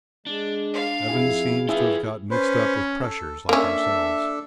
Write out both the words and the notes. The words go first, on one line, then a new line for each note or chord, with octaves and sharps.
Evans seems to have got mixed up with pressures like ourselves.
G#3 D4
F5
F2 E4 G#4
E3 E4 F4 G#4 A4
C#4 B4 C5
A4
A#3 C#4 D4 A4 E5